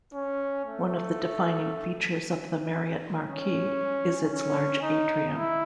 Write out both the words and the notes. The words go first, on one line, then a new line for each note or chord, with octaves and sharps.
One of the defining features of the Marriott Marquis is its large atrium.
C#4
A3
C#4
C#4
D#4
E4